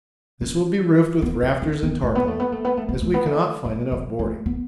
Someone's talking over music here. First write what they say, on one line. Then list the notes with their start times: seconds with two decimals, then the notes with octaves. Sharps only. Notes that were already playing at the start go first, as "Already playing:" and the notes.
This will be roofed with rafters and tarpaulin, as we cannot find enough boarding.
0.41 C#4
1.22 B3
1.43 C#4
1.62 C#4
1.83 B3
2.03 A3
2.15 B3
2.28 A3
2.40 B3
2.52 A3
2.65 B3
2.77 A3
2.89 B3
3.01 A3
3.14 B3
3.26 A3
3.65 F#3
3.92 F#3
4.19 A3
4.46 B3